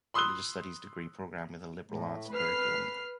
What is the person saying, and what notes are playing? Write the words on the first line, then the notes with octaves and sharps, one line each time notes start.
Religious Studies degree program with a Liberal Arts curriculum.
B5 C6 D#6 E6 F#6 G7
A2
B4 F6 C7